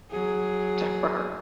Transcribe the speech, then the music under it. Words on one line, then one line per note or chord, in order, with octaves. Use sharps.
to for her.
F#3 G#4